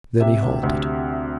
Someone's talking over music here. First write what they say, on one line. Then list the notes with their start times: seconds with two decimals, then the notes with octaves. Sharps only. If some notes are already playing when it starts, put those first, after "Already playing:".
Then he halted.
0.20 C3 E5
0.43 D2
0.63 D2